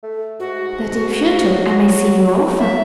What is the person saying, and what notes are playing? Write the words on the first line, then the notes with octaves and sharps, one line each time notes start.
"That in future I may see you often."
A3
G#2 F#4
F#3
E5